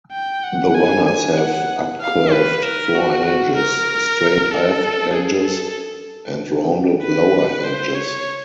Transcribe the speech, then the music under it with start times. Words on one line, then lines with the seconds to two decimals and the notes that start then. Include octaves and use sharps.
The runners have up-curved fore edges, straight aft edges, and rounded lower edges.
0.12 G5
0.43 F#5
0.74 G#5
1.07 G#5
1.37 F#5
2.01 F5
2.32 B4
2.63 A#4
2.95 F#4
3.25 F#4
3.56 A#4
4.51 A4
5.13 G#4
5.45 A4
7.01 B4
7.64 C5
7.95 C#5